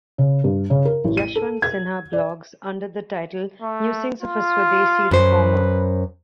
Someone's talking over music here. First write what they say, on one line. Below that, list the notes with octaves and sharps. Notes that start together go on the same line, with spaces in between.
Yashwant Sinha blogs under the title "Musings of a Swadeshi Reformer".
C#3
G2
C#3
A#4
A1
D#7
A4
G#6
D5
A3
F4
F#2 B4 C5